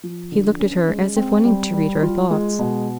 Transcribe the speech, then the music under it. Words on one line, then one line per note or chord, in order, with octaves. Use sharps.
He looked at her, as if wanting to read her thoughts.
F3
D3
C#4
G#3
C4
G3
G3
F4
G#3
B2